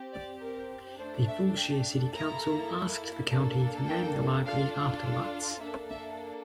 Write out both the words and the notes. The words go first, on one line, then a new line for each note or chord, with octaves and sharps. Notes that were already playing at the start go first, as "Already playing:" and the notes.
The Fulshear City Council asked the county to name the library after Lutts.
Already playing: C4 G4
D5
A#4
A3 D4 A4 C5
E5
G5
A#3 E4 A4 A#5
A#3 D4 A4
G5
D4 F4 A4 F5
A#3 D4 A4 E5
E5